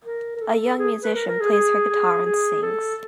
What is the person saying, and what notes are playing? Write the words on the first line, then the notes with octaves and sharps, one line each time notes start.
A young musician plays her guitar and sings.
A#4
A#4
A4
G#4
B4
A#4
A#4
G#4
G#4
G#4
G#4
A4